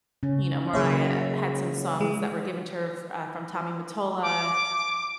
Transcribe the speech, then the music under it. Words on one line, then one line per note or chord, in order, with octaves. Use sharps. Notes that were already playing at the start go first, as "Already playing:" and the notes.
you know, Mariah had some songs that were given to her, uh, from Tommy Mottola,
C#3 C#4
C#3 F#3 A#3 G#4 C#5 E5
G#3
D6